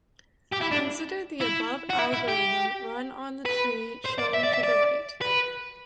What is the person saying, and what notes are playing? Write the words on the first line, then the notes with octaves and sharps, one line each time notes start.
Consider the above algorithm run on the tree shown to the right.
G4
E4
D4
E4
F#4
E4
E4
G4
B4
C5
D5
E5
D5
E5
D5
B4